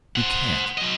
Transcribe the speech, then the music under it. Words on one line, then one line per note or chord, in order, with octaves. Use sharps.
You can't.
C5 F#5
F#3 D#5